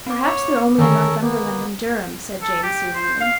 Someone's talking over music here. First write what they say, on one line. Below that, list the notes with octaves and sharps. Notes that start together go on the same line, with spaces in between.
'Perhaps they're only in Northumberland and Durham,' said Jane soothingly.
C4 D6
C#5
D3 D#3 C#4 A4 A#4
A#3 B3
A4
G4
C5
F5